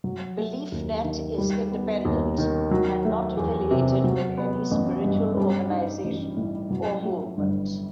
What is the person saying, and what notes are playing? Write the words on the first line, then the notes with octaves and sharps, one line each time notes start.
Beliefnet is independent and not affiliated with any spiritual organization or movement.
F#3
A3
D#2
D#3
G3
B3
D#2
D#3
F#3
A3
E2
C3
F#3
B3
A1
G2
G3
D#4
A1
A2
F#3
A3
G1